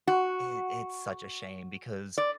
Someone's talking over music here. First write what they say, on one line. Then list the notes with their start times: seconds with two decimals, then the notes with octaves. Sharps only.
It it’s such a shame because,
0.07 F#4
2.18 D5